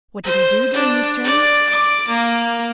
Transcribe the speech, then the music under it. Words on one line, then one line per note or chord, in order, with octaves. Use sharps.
What did he do during this journey?
C5
D4
D5
D6
A#3